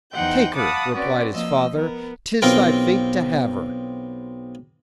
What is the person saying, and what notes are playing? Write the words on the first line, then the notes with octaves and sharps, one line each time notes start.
"Take her!" replied his father, "'tis thy fate to have her!"
E2 D#4 C5 F#5 G5 G6
F5 F#5 A5 B5 D6 D#6
C4 C#4 F#4 B4 D5
F3 A#3 D#5 E6
B3 A#4
B1 C4 F4 A#4 G5